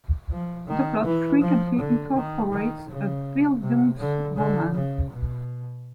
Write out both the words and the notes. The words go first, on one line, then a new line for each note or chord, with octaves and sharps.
The plot frequently incorporates a "bildungsroman".
F3
D#3
E3
F3
D3
D#3
D#3
C#3
C3
D3
D3
C#3
B2